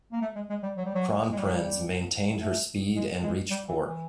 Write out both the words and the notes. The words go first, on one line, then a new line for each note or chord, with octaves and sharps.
"Kronprinz" maintained her speed and reached port.
A#3
A3
G#3
G#3
G3
F#3
G3
F#3
G#3
G3
F#3
G3
A3
G#3
G#3
G3
E3
E3